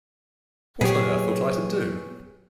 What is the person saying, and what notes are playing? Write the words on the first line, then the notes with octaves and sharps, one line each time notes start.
What on earth ought I to do?
A#2 F#3 B3 G4 G#4 C#5